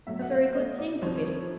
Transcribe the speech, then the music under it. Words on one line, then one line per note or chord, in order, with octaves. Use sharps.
A very good thing for Biddy.'
B2 F#3 A3 E5
F#5
F5
D#5
D5
F2 C3 F3 C#5